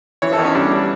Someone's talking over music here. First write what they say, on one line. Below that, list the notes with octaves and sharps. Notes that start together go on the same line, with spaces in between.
Well, y
E3 C#5
A4
E2
C#4
G3 D4
G3